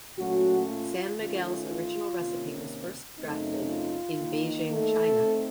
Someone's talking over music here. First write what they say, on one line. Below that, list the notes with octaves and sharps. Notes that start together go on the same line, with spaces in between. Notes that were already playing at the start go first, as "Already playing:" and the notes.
San Miguel's original recipe was first drafted in Beijing, China.
A#2 F#3 A3 C#4 F#4
F4
D#3 A3 C#4 F4
F4
C3 D#3 A#3 C#4
F#2 C#3 A3 C4 D#4
F4
D#3 A#3 D#4
A3 A4
C4 D#4